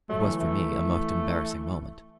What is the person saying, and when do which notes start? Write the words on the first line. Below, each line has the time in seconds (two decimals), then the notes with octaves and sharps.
It was for me a most embarrassing moment.
0.09 F#3 A3
0.25 E3
0.40 A3